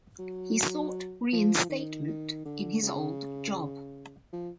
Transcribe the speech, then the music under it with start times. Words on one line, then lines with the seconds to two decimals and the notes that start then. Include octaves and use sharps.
He sought reinstatement in his old job.
0.19 F#3
1.32 F3
1.69 D#3
2.07 D#3
2.45 D3
2.82 C#3
4.33 F3